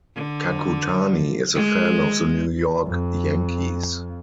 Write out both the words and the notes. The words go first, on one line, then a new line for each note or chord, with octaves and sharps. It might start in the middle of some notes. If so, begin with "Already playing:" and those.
Kakutani is a fan of the New York Yankees.
D3
G#3
F2